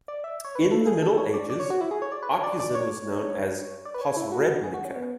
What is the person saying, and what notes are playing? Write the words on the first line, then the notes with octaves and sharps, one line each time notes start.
In the Middle Ages, Opuzen was known as Posrednica.
D5
E5
C#5
B4
A4
G#4
A4
C#5
D5
D5
C#5
F#4
E4
G#4
C#5
D5
B4
C#5
D5
D5
C#5
D5
B4
C#5
E4
F#4
G#4
F#4
C#4
B3